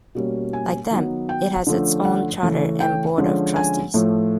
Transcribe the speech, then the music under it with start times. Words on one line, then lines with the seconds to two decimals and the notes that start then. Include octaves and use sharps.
Like them, it has its own charter and Board of Trustees.
0.15 B2 G3 A#3 C#4
0.53 G#5
0.91 D#3 F#3 B3
1.29 G5
1.67 D3 F3 A3 C#4
2.05 F#5
2.42 C#3 E3 A3 C#4
2.80 G5
3.18 D3 F3 G#3 C#4
3.56 G#5
3.94 A2 F3 A3